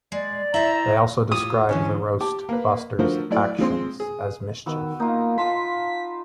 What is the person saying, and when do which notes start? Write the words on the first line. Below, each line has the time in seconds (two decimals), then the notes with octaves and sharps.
They also described the Roast Busters' actions as "mischief".
0.12 G#3 D5
0.54 E4 C5 E5 A#5 F#7
1.32 A2 F4 G4 D#6
1.69 G#2 D3 E3 C#4
2.21 G4 A5 D6
2.49 A#3 B4
2.99 D3 F3 A3 F#4 A#4 C5
3.30 F#3 A3 E4 D5
3.59 F3 G#3 C4 C6
4.00 G#4
4.66 D#3 B3 F#4 E6
5.00 A#3 D#4 F4
5.38 F4 A5 C6 B6